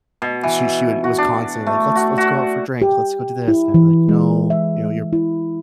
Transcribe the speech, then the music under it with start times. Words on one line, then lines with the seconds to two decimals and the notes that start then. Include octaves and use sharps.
she she would it was constantly like, "Let's let's go out for drink. Let's go do this." And I'd be like, "No, you know, you're
0.22 B2
0.43 E3
1.04 F#4
1.18 D4
1.66 A3
1.95 F#4
2.18 F#4
2.82 G4
3.48 E4
3.74 E3
4.09 G#3
4.50 E5
5.13 E4